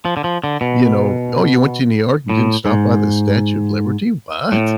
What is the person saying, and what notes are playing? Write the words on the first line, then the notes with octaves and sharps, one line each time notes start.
you know. "Oh, you went to New York and didn't stop by the Statue of Liberty? What?
F3
D3
F3
D3
B2
A2
G#2
A2